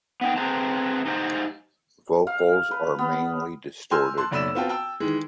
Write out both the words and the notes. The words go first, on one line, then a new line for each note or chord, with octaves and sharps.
Vocals are mainly distorted.
B3 D#4 G5
C4 G#4 B4 C5 A5 A#5
D#4 G4 C5 D#5
F5
B4
B3
G#5 A#5 C6 E6 F6 G6
A5 C6 F#6
F#1 B1 D5 B5 E6 E7
B3 C4 F4 F#4 G5 A5
G5 A5 E6
D#3 E3 G#3